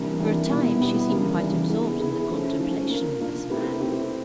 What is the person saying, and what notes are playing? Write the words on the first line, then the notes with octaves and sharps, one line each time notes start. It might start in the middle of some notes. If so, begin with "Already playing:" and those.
For a time, she seemed quite absorbed in the contemplation of this man.
Already playing: C3 E3 G3 A#3 D4
C3 E3 G3 A#3 D4
B2 G3 B3 E4
B2 G3 B3 E4
C#3 E3 G3 A#3 D4
C#3 E3 G3 A#3 D4
B3 E4 G#4
B3 E4 G#4
F3 A3 C#4
F3 A3 C#4
A#3 D4 F4 A#4
A#3 D4 F4 A#4
A3 C4 E4 G4 B4
A3 C4 E4 G4 B4